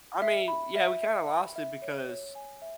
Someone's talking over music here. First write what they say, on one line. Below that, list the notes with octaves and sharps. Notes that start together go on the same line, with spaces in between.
I mean, yeah, we kinda lost it because
E5
B5
E5
E5
B5
E5
C#5
C#5
G#5
E5